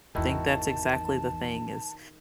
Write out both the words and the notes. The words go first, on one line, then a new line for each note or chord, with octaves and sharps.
think that's exactly the thing is,
G#1 E2 D#3 E4 F#4 A5